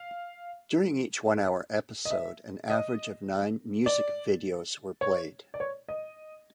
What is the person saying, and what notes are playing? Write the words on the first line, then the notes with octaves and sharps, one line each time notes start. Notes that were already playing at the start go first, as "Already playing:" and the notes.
During each one-hour episode, an average of nine music videos were played.
Already playing: F5
D#5
E5
D#5
D5
C#5
D5
C#5
D#5